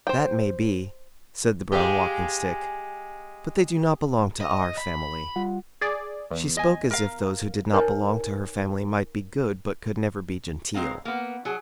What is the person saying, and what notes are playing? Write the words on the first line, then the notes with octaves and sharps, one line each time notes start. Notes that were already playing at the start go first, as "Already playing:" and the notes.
"That may be," said the Brown Walking-Stick, "but they do not belong to our family." She spoke as if those who did not belong to her family might be good but could never be genteel.
C5 G5
G#3 G4 F5
D#5
B5
G3 F4 F#5
G#4 D5
E2
D#5 G#5
A#4 F5
D#4 A#4 B4 C#5 F#5 G#5
G#3 C4 F5 A#5
A#3 B3
F#3 G#4